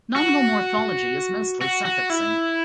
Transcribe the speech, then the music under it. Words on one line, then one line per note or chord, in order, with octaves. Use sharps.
Nominal morphology is mostly suffixing.
F#4
F#4
F#4
E4